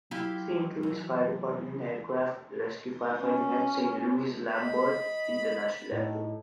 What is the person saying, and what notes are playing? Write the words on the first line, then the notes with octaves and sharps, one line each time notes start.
Saint Louis Fire Department - Aircraft Rescue Firefighting at Saint Louis Lambert International Airport.
F#3 E4 F4 G4
E3
C#4
D#5 B5
A2 D#4